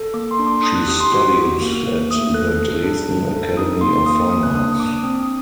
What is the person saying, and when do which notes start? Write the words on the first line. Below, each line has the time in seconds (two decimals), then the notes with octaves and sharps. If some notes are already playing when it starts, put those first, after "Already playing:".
She studied at the Dresden Academy of Fine Arts.
Already playing: A4
0.14 A#3 D6
0.31 C6
0.39 D4
0.47 D6
0.63 D4 D#6
0.75 F#6
0.87 G4 D#6
1.00 C6
1.12 F#4 D6
1.37 F#4
1.61 A#3
1.85 A#3
2.11 A3 D#6
2.34 A4 F#6
2.59 A4
2.84 D4
3.09 D4
3.32 A4
3.57 D#4 D#6
3.81 A#3 C6
4.06 A#3 D#6
4.19 D#6
4.30 A#3 D#6
4.43 F#6
4.55 D4 D#6
4.72 D#6
4.80 D4 D6
5.04 C4 D#6
5.23 D#6